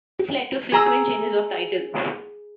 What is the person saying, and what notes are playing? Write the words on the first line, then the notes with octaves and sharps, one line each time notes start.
This led to frequent changes of title.
G#4 A#5 E6